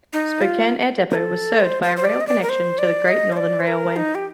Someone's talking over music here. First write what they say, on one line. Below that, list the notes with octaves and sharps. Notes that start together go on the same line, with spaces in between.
Spokane Air Depot was served by a rail connection to the Great Northern Railway.
D#4
F4
A#4
A4
C5
C5
C5
D5
D#5
D5
A#4
C5
D5
D#5
C5
D5
C5
A#4
D#4
G4